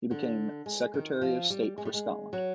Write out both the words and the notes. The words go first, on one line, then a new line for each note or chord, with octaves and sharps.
He became Secretary of State for Scotland.
D3
G#3
D#3
F3
G3
G#3
G3
G#3
F#3